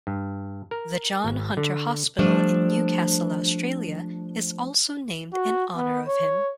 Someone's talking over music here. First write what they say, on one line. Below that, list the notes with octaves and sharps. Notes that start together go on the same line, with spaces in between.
The John Hunter Hospital in Newcastle, Australia is also named in honour of him.
G2
A#4
G#1
D3
F3 G3 A3 D4
F#4
B3
C#5